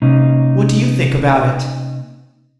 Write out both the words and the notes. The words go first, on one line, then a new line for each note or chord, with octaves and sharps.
"What do you think about it?"
C3 A#3 C#4 D#4